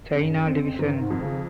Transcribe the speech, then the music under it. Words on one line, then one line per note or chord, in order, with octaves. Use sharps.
China division.
G2 C#3
F2 C4
F2
G2 D#3
G#2
F2
C#3